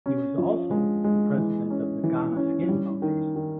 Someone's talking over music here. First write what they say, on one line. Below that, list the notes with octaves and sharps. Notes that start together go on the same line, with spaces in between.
He was also the President of the Ghana Skin Foundation.
C#4
F3
G#3
G#3
E3
C#4
E3
C#4
G3
D#3
D#3